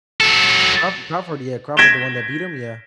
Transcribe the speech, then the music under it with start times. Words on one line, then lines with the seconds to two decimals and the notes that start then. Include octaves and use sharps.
Crawford Crawford, yeah, Crawford, the one that beat him? Yeah.
0.21 F#3 A4
1.77 G#6 A#6 B6 D7 E7 G7